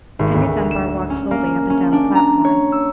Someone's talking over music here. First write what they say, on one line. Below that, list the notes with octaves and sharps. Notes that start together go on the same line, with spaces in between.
Henry Dunbar walked slowly up and down the platform.
G#1
D2
E7
C#4
A#3
C#4
D4
A#5
C#5
E6